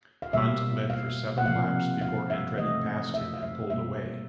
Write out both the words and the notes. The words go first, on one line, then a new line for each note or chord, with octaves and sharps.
Hunt led for seven laps before Andretti passed him and pulled away.
F5
B2 G3 A#3 E5
F5
F#5
C3 F3 A#3 F5
F5
E5
C3 E3 A3 D#5
E5
F5
E5
B2 G3 A#3 E5